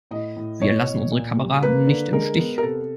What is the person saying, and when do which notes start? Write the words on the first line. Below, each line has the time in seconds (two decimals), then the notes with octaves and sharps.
Wir lassen unsere Kameraden nicht im Stich!
0.11 A2 D#5
0.36 A2
0.61 B2 C#5
0.86 B2
1.12 A#2
1.37 G3
1.62 A#3 B4
1.87 D3
2.13 G#3 A#4
2.37 B3
2.58 A#4
2.63 C3 A4